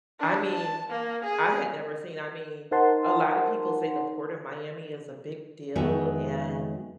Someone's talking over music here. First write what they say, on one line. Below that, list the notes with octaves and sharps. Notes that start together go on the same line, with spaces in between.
I mean, I had never seen, I mean, a lot of people say the Port of Miami is a big deal, and
D4
A5
A#3
G#4
D#4 A#4 C5 F#5 A5 C6
F2 D#3 G#3 B3 F#4 E5